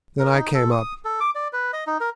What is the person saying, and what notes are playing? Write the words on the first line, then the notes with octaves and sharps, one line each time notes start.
Then I came up.
A#4
D#4
A4
D#6
A4
D6
D5
B4
D#5
D#4
A#4